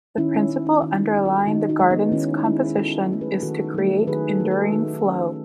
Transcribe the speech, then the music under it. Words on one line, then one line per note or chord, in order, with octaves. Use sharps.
The principle underlying the garden's composition is to create enduring flow.
D#3 C#4 E4
C#4
G#3 C#4
C#4 E4
D#3 D#4 F#4
F#4
E4 G#4
G#3
F#4 A4
D#3 D#4 F#4
D#4 F#4
G#3
B3 D#4
D#3 C#4 E4
G#3 C#4 E4
D#3 F#4 A4
F#3 A3
G#4 B4
D#3 F#4 A4
F#3 A3
D#3 G#4 B4
F#4 A4
A3
B4
F#4 A4
D#3 D#4 F#4
D#4
A3 C#4